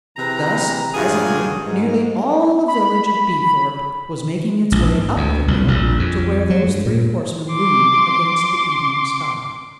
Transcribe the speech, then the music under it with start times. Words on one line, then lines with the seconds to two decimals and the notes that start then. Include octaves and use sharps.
Thus, presently, nearly all the village of Beethorpe was making its way up the hill to where those three horsemen loomed against the evening sky.
0.17 C3 E3 G#4 B4 A#5
0.95 G2 A#2 D4 F4 F#4 G#4
1.65 G#2
2.68 B5
4.72 A#1
4.88 G#2
5.16 D2
5.48 C2
5.68 A#1
5.99 F2
6.50 F#3
6.67 G2
6.86 A#2
7.53 C6 D6